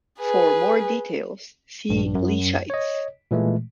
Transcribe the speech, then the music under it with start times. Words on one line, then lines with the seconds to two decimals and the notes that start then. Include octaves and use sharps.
For more details, see "Lechites".
0.20 G#4 B4
1.89 A#1 G2
2.15 F#2
2.70 C#5 D#5
3.31 A#2 E3 G#3 A3